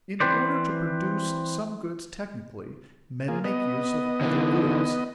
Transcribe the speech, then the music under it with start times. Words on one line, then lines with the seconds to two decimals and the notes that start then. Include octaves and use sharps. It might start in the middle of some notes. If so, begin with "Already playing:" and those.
In order to produce some goods technically, men make use of other goods.
0.20 E3 B3 C4 B4 C5 D5
3.28 A#3 F4 G#4
3.44 B3 D#5
4.21 D3 E3